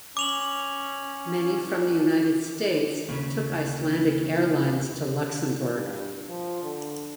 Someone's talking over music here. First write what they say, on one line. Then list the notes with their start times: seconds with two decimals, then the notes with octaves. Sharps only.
Many from the United States took Icelandic Airlines to Luxembourg.
0.17 C#4 D6 F7 F#7
3.09 D#2 A2 C#3
5.70 G2
6.28 F3
6.63 D3